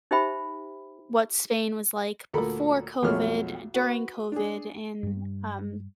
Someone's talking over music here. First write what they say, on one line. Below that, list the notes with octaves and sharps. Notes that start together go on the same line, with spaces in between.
what Spain was like before COVID, and during COVID, and, um,
D#4 G4 C5 E5 G5 B5
D2 A#2 A4 A#4 B5
B1 F2 G#3 A3 C#5 F6
F#4 B4
D4 G#4
G2 G3